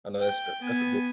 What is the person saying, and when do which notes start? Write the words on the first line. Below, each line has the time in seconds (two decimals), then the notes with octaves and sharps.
I know that's the that's a good no
0.20 G5
0.61 B3 G#5